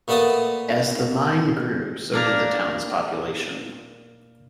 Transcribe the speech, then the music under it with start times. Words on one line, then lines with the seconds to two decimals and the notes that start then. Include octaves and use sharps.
As the mine grew, so did the town's population.
0.08 A#2 A3 B3 A4 A5 D#6
2.13 A#3 D4 A#4